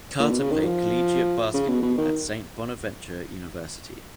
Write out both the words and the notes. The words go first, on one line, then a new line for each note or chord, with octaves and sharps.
Carter played collegiate basketball at Saint Bonaventure University.
A#2
B2
C#3
D#3
F3
C#3
B2
B2
D#3